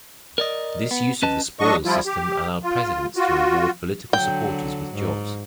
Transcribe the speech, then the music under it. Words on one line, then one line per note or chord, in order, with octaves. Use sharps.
This use of the spoils system allowed presidents to reward political supporters with jobs.
A#4 D5 D#5
B3
C#4 B4 D#5 A5
F#3 D4 D#5 C#6
F3 G3 E4 F4
G4
F4
F4 F#4
D3 F#3 G5
G#2